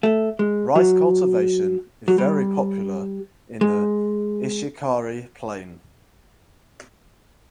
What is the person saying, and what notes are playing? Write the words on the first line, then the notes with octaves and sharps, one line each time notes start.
Rice cultivation is very popular in the Ishikari Plain.
A3
G#3
F#3
F#3
G3
G#3